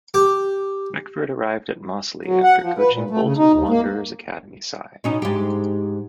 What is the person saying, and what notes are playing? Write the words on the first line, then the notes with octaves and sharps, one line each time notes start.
Beckford arrived at Mossley after coaching Bolton Wanderers' Academy side.
G4
F#3
F#5
F3
B4
A#2
A3
C#3
D#4
D#2
A#3
B2 C#4 D#4
G#2 G4